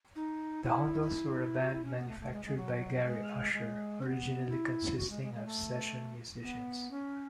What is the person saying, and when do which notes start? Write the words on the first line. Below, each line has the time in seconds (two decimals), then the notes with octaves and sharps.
The Hondells were a band manufactured by Gary Usher, originally consisting of session musicians.
0.15 D#4
0.64 E4
1.60 F#4
1.72 E4
1.84 C#4
1.96 B3
2.08 A3
2.20 A3
2.33 G#3
2.45 G#3
2.57 F#3
3.05 G#3
3.53 G#3
4.01 C#4
4.06 B3
4.49 E4
4.98 F#4
5.10 G#3
5.22 G#3
5.34 G#3
5.46 A3
6.43 B3
6.91 C#4